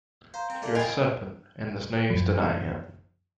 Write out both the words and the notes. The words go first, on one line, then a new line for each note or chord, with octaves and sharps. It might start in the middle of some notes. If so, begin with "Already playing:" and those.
You’re a serpent; and there’s no use denying it.
C5 F5 A#5 G6
C4
A#2 A3 A#3
F4 A#4 D#5 G5 G#5 B5 C7 D7
F#2 F3